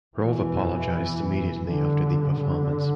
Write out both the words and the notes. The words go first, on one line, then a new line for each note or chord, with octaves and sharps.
Rove apologized immediately after the performance.
E2 B2 E3
G2 D3
D3